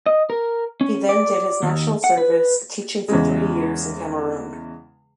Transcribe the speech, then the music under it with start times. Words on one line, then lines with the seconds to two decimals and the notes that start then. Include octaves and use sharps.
He then did his national service, teaching for three years in Cameroon.
0.06 D#5
0.30 A#4
0.81 C#4
1.09 D5
1.63 D#2
2.04 F#5
2.18 B4
3.08 E2 C#3 G#3